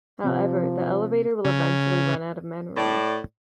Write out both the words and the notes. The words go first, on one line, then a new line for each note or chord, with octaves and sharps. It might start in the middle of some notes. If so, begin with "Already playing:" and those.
However, the elevator will eventually run out of memory.
C3 F3
C#3
A2 D5